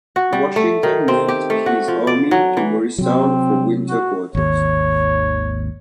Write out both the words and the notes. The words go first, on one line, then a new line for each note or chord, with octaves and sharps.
Washington moved his army to Morristown for winter quarters.
F#4
G3
A3
D#3
C4
G4
A3
F#4
F3
D5
F#3
E3
C3 F#3 C4
F#4
G#1 D#2 C#5